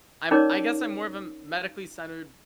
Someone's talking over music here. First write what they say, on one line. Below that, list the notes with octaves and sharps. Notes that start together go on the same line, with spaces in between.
I'm I guess I'm more of a medically centered
C#4 D#4 A#4 C#5 D5 D6